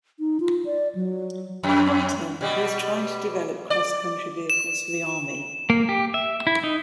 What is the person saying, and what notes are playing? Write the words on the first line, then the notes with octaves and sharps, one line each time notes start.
Crompton, who was trying to develop cross-country vehicles for the Army.
D#4
F4
D5
F#3
F2
B2 G3
D5
E7
A#3
G4
E5
E4
D#4